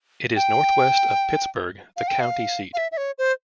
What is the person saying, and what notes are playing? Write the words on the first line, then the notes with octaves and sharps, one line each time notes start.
It is northwest of Pittsburg, the county seat.
G5
F5
G5
F5
F5
E5
E5
C#5
C5